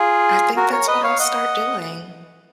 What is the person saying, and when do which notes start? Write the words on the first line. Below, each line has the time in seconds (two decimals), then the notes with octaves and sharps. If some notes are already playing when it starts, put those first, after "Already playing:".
I think that's what I'll start doing.
Already playing: F4 G#4
0.56 F#4 A#4
0.72 A#4 C#5
0.88 B4 D#5
1.03 C#5 F5
1.19 D#5 F#5